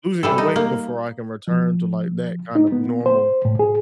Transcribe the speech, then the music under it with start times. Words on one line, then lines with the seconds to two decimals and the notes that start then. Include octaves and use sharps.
losing the weight before I can return to, like, that kind of normal,
0.23 E3 G3 A4
0.38 D#4
0.56 A#3
1.48 F3
2.55 D#4
2.72 B3
3.06 C5
3.45 A2
3.59 G#4